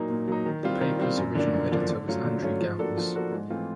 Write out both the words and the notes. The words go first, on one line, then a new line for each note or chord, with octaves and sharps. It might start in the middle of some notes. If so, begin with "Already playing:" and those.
The paper's original editor was Andrew Gowers.
Already playing: A#2 F#3 A#3 D#4
A#2
F#3 A#3 D#4
D#3
G3 C4 F4
D#3
G3 C4 F4
F#2
D3 F3 A#3 D4
F#2
D3 F3 A#3 D4
D3
F#3 A3 C#4 F4
D3
F#3 A3 C#4 F4
F3
A#3 D4 F#4 A4
F3
A#3 D4 F#4 A4
G#2
E3 A3 C4 F4